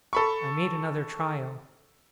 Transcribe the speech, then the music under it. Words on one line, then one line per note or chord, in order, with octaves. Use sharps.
I made another trial.
A4 B5 C#6